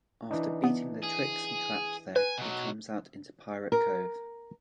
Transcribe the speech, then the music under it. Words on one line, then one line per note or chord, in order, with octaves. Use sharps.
After beating the tricks and traps there, he comes out into Pirate Cove.
E3 D4 D#4
B3
G#4
B4 G#5
B2 F#3
A#4